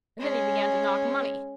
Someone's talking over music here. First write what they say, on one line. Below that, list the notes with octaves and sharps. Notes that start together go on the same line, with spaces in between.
And then he began to knock money.
G#3 C#4